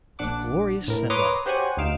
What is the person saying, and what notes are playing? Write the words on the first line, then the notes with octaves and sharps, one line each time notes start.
What a glorious send- off!
A#1 D4 F#5 D6
A2 A#4
B4 C#5 A#5 C6 D6 D#6
F#4 G4 C5 C#5 F#5 G#5
D2 D#4 F5 D7 E7